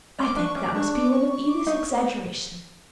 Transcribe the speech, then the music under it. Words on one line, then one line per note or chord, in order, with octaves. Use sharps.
'I think that must be one of Edith's exaggerations.
C#4 D6
D4 C#6
C#4 D6
D4 C#6
D6
C#6
C#6
D6
D#4 C#6